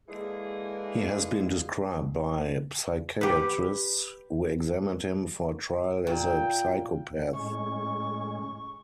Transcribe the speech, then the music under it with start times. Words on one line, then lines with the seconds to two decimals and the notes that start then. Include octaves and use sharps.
He has been described by psychiatrists who examined him for trial as a psychopath.
0.08 D3 E3 G#3 A#3 G#4
3.21 G4 B4
6.07 A#2 G5
7.33 A2 G#3 C#4 C#6